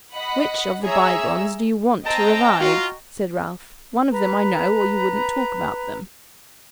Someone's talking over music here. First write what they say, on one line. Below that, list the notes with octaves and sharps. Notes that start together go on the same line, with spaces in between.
'WHICH of the bygones do you want to revive?' said Ralph. 'One of them, I know, or you wouldn't talk about them.'
D#5 F#5 B5
G#4 C#5 E5 A#5 E6
C4 D#5 G5 A5 A#5
F4 F#4
B4 A#5